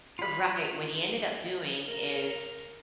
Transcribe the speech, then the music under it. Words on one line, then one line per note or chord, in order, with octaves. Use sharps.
Right. What he ended up doing is,
F4 B5
A#4 A#5